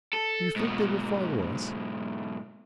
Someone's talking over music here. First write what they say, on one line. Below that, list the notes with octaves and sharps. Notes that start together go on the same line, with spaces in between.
"Do you think they will follow us?"
A4
G#2 B2